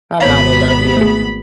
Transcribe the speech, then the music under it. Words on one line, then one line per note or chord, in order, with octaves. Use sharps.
My mom will love you.
G#1 B3 C5 C#5 F5 B5
A3 G#4